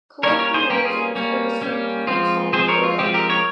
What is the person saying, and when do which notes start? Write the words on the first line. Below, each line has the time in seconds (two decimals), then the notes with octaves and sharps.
Colloquialisms are distinct from slang or jargon.
0.23 G3 A#3 C#4 A#4 C#5
0.39 A#4 C#5
0.54 G#4 C5
0.70 G3 A#3 C#4 G4 A#4
0.84 F4 G#4
1.15 G3 A#3 C#4
1.61 G3 A#3 C#4
2.07 F3 G#3 C4 F4
2.53 F3 G#3 C4 G#4 C5
2.68 A#4 C#5
2.84 F4
2.99 F3 G#3 C4 G4
3.14 G4 A#4
3.30 A#4 C#5